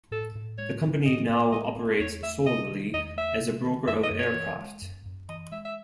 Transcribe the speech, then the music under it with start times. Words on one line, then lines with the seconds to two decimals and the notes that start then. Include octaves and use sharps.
The company now operates solely as a broker of aircraft.
0.11 A2 A4
0.35 A2
0.58 G#3 C#5
0.82 C4
1.06 A2 D#5
1.29 A2
1.52 G#3 D#5
1.76 C4
1.99 E2 C#5
2.22 A3 E5
2.46 C3 D#5
2.70 D#3
2.93 E2 D#5
3.16 A3 E5
3.40 C3
3.64 D#3
3.87 F#2 E5
4.03 D#5
4.11 F#2
4.19 C#5
4.34 E3
4.58 G#3
4.81 F#2
5.06 F#2
5.29 E3 D#5
5.52 G#3 E5
5.65 E5